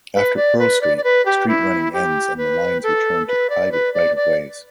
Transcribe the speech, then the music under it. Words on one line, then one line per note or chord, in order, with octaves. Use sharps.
After Pearl Street, street running ends and the lines return to private right-of-ways.
B4
D5
B4
D5
D5
B4
G4
E4
G4
B4
A4
B4
D5
B4
D5
D5